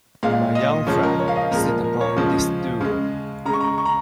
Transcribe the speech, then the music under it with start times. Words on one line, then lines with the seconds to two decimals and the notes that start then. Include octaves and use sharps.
My young friend, sit upon this stool.
0.23 A#2 G#3 F5
0.55 D#5
0.87 C#3 F3 G#3 C#5
1.03 A#4
1.20 C#5
1.28 F5
1.36 D#5
1.51 A#2 F3 G#3 A#4
1.67 A#4
1.84 A#4
2.01 C#5
2.17 C#3 F3 G#3
2.81 C#3 G#3
3.46 C#3 G#3 A#5
3.53 C#6
3.60 A#5
3.78 C#6
3.85 A#5